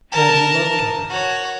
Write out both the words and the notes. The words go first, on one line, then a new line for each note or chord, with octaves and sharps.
Had he loved her?
A#4 A5
F#4 C#5